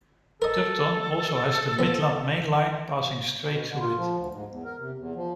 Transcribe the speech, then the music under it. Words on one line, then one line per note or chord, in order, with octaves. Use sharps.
Tupton also has the Midland Main Line passing straight through it.
A4 A#4 D#5
F3 B3
B2
D3
F4
F3
D2
G#2
E2
A#4
C3
E2
F3